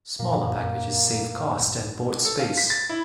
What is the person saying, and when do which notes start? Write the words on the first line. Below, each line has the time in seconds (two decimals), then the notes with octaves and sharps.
Smaller packages save cost and board space.
0.20 F#2 A#2 A#3
2.25 A4
2.39 F5
2.57 B6
2.70 A6
2.89 E4